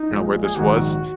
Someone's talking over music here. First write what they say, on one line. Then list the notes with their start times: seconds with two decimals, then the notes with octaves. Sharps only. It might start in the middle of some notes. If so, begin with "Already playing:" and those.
uh, where this was,
Already playing: D#4
0.10 A#1 A#2 G#3
0.43 G#4
0.56 A#1 G#2 D#3 F#4